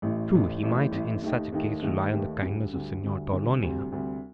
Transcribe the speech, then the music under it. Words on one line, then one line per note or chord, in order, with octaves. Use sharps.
True, he might in such a case rely on the kindness of Signor Torlonia.
A1 A2 A3
A1 A2 A3
A1 A2 A3
A1 A2 A3
D#2 D#3 A3 D#4 G4
D#2 D#3 A3 D#4 G4
D#2 D#3 A3 D#4 G4
D#2 D#3 A3 D#4 G4
D2 D3 G3
D2 D3 G3
D2 D3 G3
D2 D3 G3
D2 C3 G3 C4
D2 C3 G3 C4